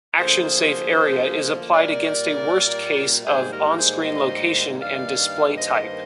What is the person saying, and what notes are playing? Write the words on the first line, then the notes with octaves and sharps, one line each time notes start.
Action-safe area is applied against a worst case of on-screen location and display type.
D2 D3 F3 A#3 G#4 C5
A#2 G3 A#3 A#4 D5
G#2 D#3 G3 A#3 G#4 C5
G4 A#4
G#4 C5
C5 D#5
G2 D#3 A#3 D5 F5
C5 D#5